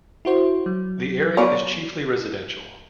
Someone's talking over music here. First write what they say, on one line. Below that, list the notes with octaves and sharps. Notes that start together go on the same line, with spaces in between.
The area is chiefly residential.
E4 F#4 C5
F#3
B3 C#5 D5